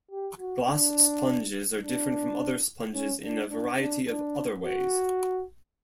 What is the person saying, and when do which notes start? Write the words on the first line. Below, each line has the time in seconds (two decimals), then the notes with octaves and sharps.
Glass sponges are different from other sponges in a variety of other ways.
0.11 G4
0.39 F#4
0.67 D4
1.81 D4
2.94 C#4
3.22 D4
3.50 D4
3.79 D4
4.07 D4
4.64 F#4